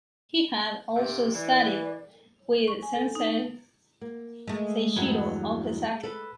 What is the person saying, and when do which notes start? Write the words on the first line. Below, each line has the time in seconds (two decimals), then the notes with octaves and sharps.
He had also studied with sensei Seishiro Okazaki.
0.96 G2 C3 A#4
1.33 E3 D5
2.68 C#6
2.82 G#5
2.95 A4
3.15 D#4
3.27 A3
4.01 A#3
4.47 G#3 A3
4.96 E2 G2 F#3
6.03 A4 B4